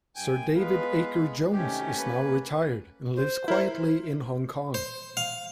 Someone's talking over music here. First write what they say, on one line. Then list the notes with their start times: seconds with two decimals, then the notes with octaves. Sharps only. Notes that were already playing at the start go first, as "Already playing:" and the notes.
Sir David Akers-Jones is now retired and lives quietly in Hong Kong.
0.16 F#2 G5 G#5
0.57 G#3 B3 B4 F5
1.52 C3 D#3 A3 C#4 G4
1.98 A#3 B4
3.16 C5
3.48 E4 A#4 C5
4.74 C5
5.17 F5